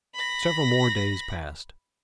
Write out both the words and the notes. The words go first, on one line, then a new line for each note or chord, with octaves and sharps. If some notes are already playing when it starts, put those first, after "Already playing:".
Several more days passed.
B5 A#6